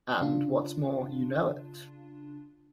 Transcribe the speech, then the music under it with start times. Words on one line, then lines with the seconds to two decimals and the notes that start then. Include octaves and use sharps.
And, what's more, you know it.
0.21 C#3 D4 F4